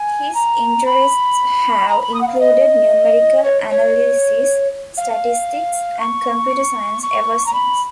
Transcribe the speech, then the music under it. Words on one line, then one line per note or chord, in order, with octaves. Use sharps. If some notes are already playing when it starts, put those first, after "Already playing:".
His interests have included numerical analysis, statistics, and computer science ever since.
Already playing: G#5
A#5
B5
A#5
B5
D#6
F#5
F5
D#5
C#5
C#5
F5
C#6
C#6
A#5
B5